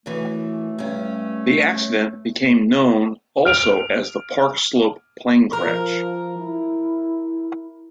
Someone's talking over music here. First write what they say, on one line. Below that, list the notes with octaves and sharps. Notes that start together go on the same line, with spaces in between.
The accident became known also as the Park Slope plane crash.
F#2 E3 A3
G2 C#4
F6 D7 F7
F3 A#4
E4